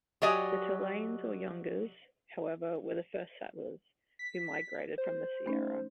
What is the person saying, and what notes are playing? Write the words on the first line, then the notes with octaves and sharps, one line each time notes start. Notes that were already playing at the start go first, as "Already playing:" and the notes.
The Tallanes or Yungas, however, were the first settlers, who migrated from the Sierra.
F#3 G4 D5 D#5 G#5
B6
C5
A3 C#4 D#4